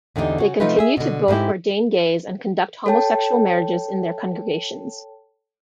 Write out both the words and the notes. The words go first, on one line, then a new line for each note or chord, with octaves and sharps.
They continue to both ordain gays and conduct homosexual marriages in their congregations.
E2 D3 C4 C#4 D#4 G4
C#3 F#4
C3 F3 A3 D#4 F4 B4
G#4 E5
B2 D3
G#2 C4 D4 E4 G4
A4 C#5 G5 A5